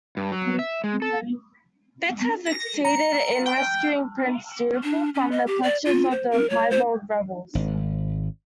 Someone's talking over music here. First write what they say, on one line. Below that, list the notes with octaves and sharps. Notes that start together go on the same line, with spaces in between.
Fitz has succeeded in rescuing Prince Dutiful from the clutches of the Piebald rebels.
G2
F#3
E5
G#3
A4
A#6
A#5 C#7
G5
D4
C#4
D#5
G4
D5
F4
C5
A#4
C#5
C5
G#1